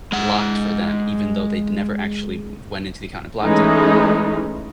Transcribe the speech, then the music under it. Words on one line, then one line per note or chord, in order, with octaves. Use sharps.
blocked for them, even though they'd never actually went into the account and blocked it.
G#3 F#5
E3 G#3 A3 C#4 D#4